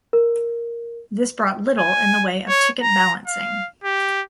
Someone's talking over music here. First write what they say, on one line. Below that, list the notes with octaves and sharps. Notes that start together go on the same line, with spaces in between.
This brought little in the way of ticket balancing.
A#4
G#5
C#5
A#5
F5
G4